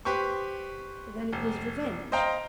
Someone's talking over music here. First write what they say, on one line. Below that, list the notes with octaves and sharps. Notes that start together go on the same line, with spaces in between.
"Then it was revenge."
G4 B4 C5 C#6
F1
C5 D#5 F5 G5 A#5